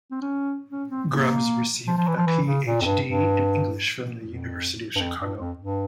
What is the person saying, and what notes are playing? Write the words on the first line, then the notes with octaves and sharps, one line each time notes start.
Grubbs received a Ph.D. in English from the University of Chicago.
C4
C#4
C#4
C4
A#3
F3
F3
E3
F3
E3
C#3
A#2
F2
G2
G2
F2
G2
F2
G2
F2
G2